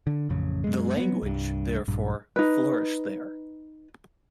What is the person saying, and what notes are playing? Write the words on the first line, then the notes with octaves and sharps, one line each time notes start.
The language therefore flourished there.
D3
A1 F2 C#3
F#2 G#3
F#3 G#3 B3
C2 G2
A#1 G2
D#4 B4